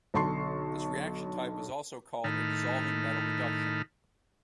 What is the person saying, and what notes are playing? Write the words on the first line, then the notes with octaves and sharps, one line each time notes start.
This reaction type is also called a dissolving metal reduction.
B1 D3 A5 C6 C#6 C7
A2 D#3 D#4 A5 B5 F6